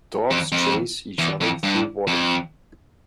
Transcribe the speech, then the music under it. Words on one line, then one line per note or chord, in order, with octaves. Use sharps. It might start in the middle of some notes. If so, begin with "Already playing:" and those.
Dogs chase each other through water.
F2
F2
E2
F2
G2
F2